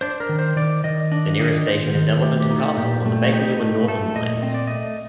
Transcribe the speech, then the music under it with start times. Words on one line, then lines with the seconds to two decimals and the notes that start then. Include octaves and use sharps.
The nearest station is Elephant and Castle on the Bakerloo and Northern lines.
0.01 D4 C5
0.20 A#4
0.29 D#3
0.39 C5
0.56 D#3 D5
0.84 D#3 D#5
1.12 D4 D#5
1.39 D#3 D#5
1.67 D#3 C5
1.95 D#3
2.22 A3 G4
2.40 G4
2.51 D#4
2.59 A4
2.77 A#2 G4
3.06 A3
3.32 D#4 G4
3.60 A3
3.88 A3 A4
4.16 A#2 D#5
4.42 C4 D#5
4.54 D5
4.67 A3 D#5